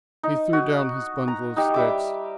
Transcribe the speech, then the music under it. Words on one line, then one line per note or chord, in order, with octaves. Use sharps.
He threw down his bundle of sticks.
D#4
F#4
A#5
D#4 G4
G3 E5 D6